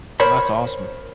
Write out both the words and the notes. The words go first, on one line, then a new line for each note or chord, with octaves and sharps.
That's awesome.
A#4 C5 C#5 B5